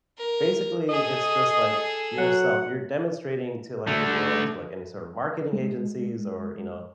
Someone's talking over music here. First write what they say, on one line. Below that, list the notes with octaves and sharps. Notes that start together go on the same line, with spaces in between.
Basically, it's just, like, yourself you're demonstrating to, like, the world, to, like, any sort of marketing agencies, or, you know,
A#4
G#4 A4 D#5
F#3 F#5
D3 A3
G#3